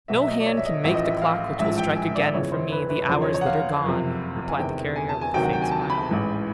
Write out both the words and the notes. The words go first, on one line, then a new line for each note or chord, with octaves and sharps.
"No hand can make the clock which will strike again for me the hours that are gone," replied the Carrier with a faint smile.
B1 B2 F#3 E5
E5
D#5
D5
C#5
E5
D#5
A1 A2 F3 E5
D#5
E5
F5
A1 G#2 F3 E5
G5
G#5
D5
G1 F2 C#3 E3 C#5
C5
B4
B4
E2 C#3 F3 C5
C#5
C#5
F#5
F5
F#1 F2 C3
G#5
E1 E2 C3 D#3 G5
G#5
A5
G#5
D2 C3 D#3 F#3 G5
F#5
G5
G#5
A5
B5
A1 G#2 E3